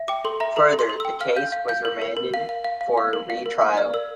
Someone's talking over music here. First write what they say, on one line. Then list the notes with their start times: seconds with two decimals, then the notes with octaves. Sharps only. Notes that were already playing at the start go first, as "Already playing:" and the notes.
Further, the case was remanded for a re-trial.
Already playing: E5
0.08 G5 D6
0.25 A4 C6
0.40 E5 A#5
0.56 A4 A#5
0.73 A4
0.79 C6
0.89 A4
1.00 G5 E6
1.21 F5 F6
1.36 F5 G6
1.52 F5
1.68 F5 G6
1.85 A#4
2.02 A#4
2.17 A#4
2.34 F5
2.49 F5
2.64 F5
2.81 F5
2.98 F5
3.13 A#4
3.30 F5
3.46 A#4
3.61 F5
3.77 D5 F6
3.94 A#4 E6